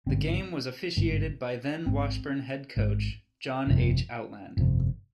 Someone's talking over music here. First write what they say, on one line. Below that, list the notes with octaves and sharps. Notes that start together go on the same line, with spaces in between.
The game was officiated by then Washburn head coach John H. Outland.
G#1 G2 D3 C4
G#1 G2 D3
G#1 G#2 C4
G#1 G#2
G1 F2 C3
G1 F2 C3